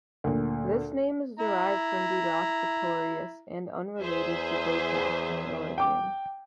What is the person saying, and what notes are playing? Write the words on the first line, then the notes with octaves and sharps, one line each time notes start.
This name is derived from "buadhach" "victorious" and unrelated to "botach" in origin.
D2 A#2
E4 A#5
E2 G#4 C5 E5
G5 D6